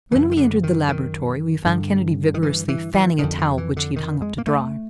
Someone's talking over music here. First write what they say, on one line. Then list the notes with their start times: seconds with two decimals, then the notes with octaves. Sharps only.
When we entered the laboratory we found Kennedy vigorously fanning a towel which he had hung up to dry.
0.12 F#2 C#3 E3
0.31 D#3
0.37 D3
0.63 D#3
0.89 D#3
1.65 G2 D3
2.34 D#3
2.43 E3
2.68 E3
2.94 E3
3.19 F2 D3 D#3
3.39 D3
3.58 E3
3.77 D3
3.96 D#3
4.22 G#3
4.38 A#3
4.47 A3